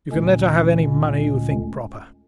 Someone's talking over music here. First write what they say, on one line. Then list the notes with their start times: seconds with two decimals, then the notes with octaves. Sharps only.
You can let her have any money you think proper.
0.12 D2 A#2 D3 G#3 C#4